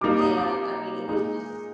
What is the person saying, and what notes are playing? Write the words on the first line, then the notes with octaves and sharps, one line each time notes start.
and I mean, it was just
C3 G3 A#3 D#4 D6
D#6
D6
A#2 G#3 D#4